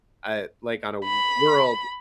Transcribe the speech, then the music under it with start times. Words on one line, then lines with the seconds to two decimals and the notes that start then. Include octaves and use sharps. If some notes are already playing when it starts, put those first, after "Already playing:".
Uh, like, on a w world
1.05 B5